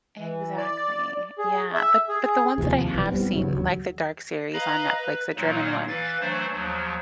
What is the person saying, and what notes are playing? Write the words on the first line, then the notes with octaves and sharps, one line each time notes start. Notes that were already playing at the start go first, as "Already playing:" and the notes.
Exactly. Yeah. But but the ones that I have seen, like the Dark series on Netflix, the German one,
E3
D5
G#4
E5
G#4
D#2 C3 E3 F3
B1 E3
G3 G#3 B3 C4
G2 C#3 F#3
D#2 F#3
B4 D#5 F5 A#5 B5
B4
A#2 F#3 A#3 D#4
E3 B4 F5 A6
E3 F#3 A3 D4 C5
D#2 F3 F#3